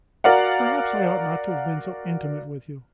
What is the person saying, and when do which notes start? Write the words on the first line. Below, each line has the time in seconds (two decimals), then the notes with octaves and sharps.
Perhaps I ought not to have been so intimate with you.
0.24 F#4 A#4 D5 F5 F#5